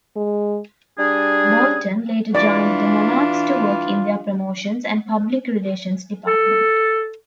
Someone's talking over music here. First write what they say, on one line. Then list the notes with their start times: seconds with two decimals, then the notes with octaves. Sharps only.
Bolton later joined the Monarchs to work in their promotions and public relations department.
0.16 G#3
0.97 G3 D4 G#4
2.35 E3 D4 F4 D5
6.27 A4